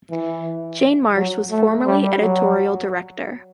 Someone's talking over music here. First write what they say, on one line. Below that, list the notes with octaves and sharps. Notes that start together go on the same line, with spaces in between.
Jane Marsh was formerly editorial director.
E3
F#3
A3
G3
F#3